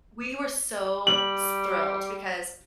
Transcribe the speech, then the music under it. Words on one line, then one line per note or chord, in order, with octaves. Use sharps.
We were so s thrilled because
G3 F#7